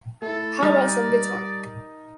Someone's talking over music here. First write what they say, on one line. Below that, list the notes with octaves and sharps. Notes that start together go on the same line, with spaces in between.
How about some guitar?
A3 E4 A4
G3 D#4 A#4 D5 D#6 F6 A6